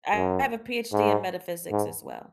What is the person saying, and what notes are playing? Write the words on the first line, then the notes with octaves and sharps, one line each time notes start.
I have a PhD in metaphysics, as well.
F#2
G#2
G#2